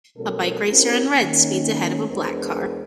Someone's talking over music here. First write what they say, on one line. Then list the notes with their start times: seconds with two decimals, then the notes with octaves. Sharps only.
A bike racer in red speeds ahead of a black car.
0.17 B2 F#3 G#3 C#4 A4 A#4
0.67 C4 C#4 E4 G4 A#4
1.19 D#3 A#3 C#4
2.09 E2 G#3 B3 D4 A#4 C5